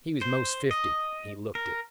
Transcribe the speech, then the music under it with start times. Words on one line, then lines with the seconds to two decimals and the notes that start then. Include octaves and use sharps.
He was most fifty, and he looked it.
0.21 C5
0.71 D#5
1.55 A#4